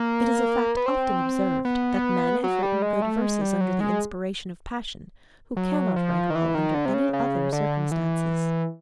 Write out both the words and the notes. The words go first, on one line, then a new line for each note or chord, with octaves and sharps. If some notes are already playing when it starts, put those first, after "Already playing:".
It is a fact often observed, that men have written good verses under the inspiration of passion, who cannot write well under any other circumstances.
Already playing: A#3
B3
C4
B3
F#3
G3
G#3
A3
G#3
G3
F#3
G#3
F#3
F3
D#3
E3
D#3
D3
C3
C#3
C#3
D3
E3